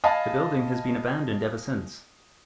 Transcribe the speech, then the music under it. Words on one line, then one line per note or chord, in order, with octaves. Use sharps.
The building has been abandoned ever since.
D#5 F5 G#5 A5 B5